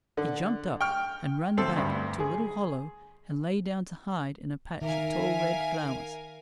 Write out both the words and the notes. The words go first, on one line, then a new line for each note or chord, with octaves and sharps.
He jumped up and ran back to a little hollow and lay down to hide in a patch of tall red flowers.
D3
G5 C#6 F6
D2 C4 A4
D2 G2
G#4
D#3 A#4 E5 F5 G#5